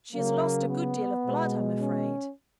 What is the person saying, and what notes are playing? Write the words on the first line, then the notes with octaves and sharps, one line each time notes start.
She has lost a good deal of blood, I'm afraid.'
C#3 F#3 A#3
B3
B2 G#3
C#4